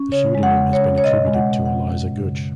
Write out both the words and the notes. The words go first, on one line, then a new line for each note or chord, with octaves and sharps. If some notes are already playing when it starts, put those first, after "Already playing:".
The pseudonym has been attributed to Eliza Gutch.
Already playing: C#4
C#3 C#5
G#3
F#5
C#3
C#5
C#4
C#5
B2 D#5
G#3
F#5
B2
F#5
C#4
F#2
C#3